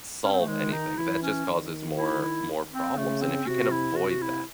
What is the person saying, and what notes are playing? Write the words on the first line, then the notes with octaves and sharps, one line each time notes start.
solve anything. That just causes more more problems, and if you can avoid that,
C#4
C4
A3
D#3 G#3
D#4
E3 E4
C#4
D#3
E4
E4
C4
C#3 A3
C4
C3 F#4
E4
C3 F#4
F#4
E4